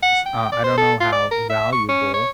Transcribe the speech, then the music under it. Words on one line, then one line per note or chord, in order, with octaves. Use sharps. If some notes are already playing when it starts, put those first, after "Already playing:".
s uh, I don't know how valuable,
F#5
G5
D5
C5
A4
F4
D5
A#4
E5
C#6
C#4
C#5